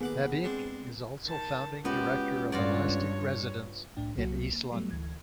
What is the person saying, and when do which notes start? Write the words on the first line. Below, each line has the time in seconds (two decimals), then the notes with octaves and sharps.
Fabyc is also Founding Director of Elastic Residence in East London.
0.01 D#2 B3 G#4 F#5 D6
0.44 G#3 C4 D4
1.25 D#3 A5
1.85 C#2 B3 F#4 G4
2.52 G2 F4 F#4 C#5 D5
3.97 C2 A2 D4 G5
4.17 C2 F#3 A#3 F#4
4.53 A#3
4.72 F#3 G3 A3 B3
4.91 D2 E3 G#6